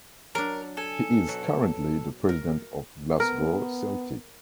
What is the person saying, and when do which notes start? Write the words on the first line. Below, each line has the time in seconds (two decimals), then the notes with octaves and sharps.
He is currently the president of Glasgow Celtic.
0.35 F#3 D4 A#4
0.77 A4 G#5
1.27 B2 F#3
2.29 A#4
3.20 B3 A#4